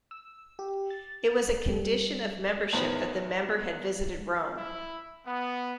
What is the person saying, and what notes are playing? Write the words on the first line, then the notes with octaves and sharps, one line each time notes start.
It was a condition of membership that the member had visited Rome.
E6
G4
A6
G3
E2 A2 D#3 F3 B3
E4
B3